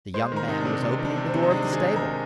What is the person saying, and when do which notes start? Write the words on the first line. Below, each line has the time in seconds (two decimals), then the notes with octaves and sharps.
The young man was opening the door of the stable.
0.14 G#3 C5
0.32 D#3 A#4
0.48 C3 D#4
0.60 D4
0.65 C3
0.82 G#3
0.99 D#3
1.05 D4
1.16 C3
1.28 C4
1.34 C3
1.42 D#4
1.50 G#3 D4
1.67 D#3
1.73 G#4
1.84 C3
1.96 A#4
2.02 C3